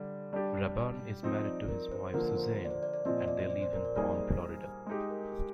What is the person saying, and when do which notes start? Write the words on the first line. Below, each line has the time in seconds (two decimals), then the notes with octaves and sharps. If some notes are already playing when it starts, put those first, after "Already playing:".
Raburn is married to his wife Suzanne and they live in Balm, Florida.
Already playing: D3 G3 D5
0.33 G3 D4 G4
1.23 F3 C4 D#4 D#5
1.45 D5
1.68 A#4
1.92 C5
2.14 D3 F3 A#3 A#4
2.37 C5
2.65 D5
2.71 C5
2.83 D5
2.94 D5
3.05 A#2 F3 C4 D#5
3.28 D5
3.39 C5
3.50 D5
3.62 C5
3.73 A#4
3.85 D5
3.96 G3 A#3 D#4 G#4 C5
4.86 G#3 D#4 G4
5.10 A#4
5.32 G4